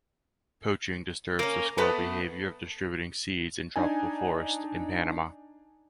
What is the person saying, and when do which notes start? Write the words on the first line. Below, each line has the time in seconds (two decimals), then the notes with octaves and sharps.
Poaching disturbs the squirrel behavior of distributing seeds in tropical forests in Panama.
1.39 A#3 C#4
1.78 A3 B3 B4 A5
3.76 D4 D#4 G#5